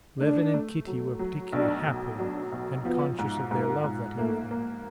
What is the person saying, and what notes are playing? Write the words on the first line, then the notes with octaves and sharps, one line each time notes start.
Levin and Kitty were particularly happy and conscious of their love that evening.
A3 D4
A3
F#3
F#3
B1 D4
B1
F#3 D4
B1
F3 B3
G#2
G#2 A#3
G#2
A3 A#3
A#3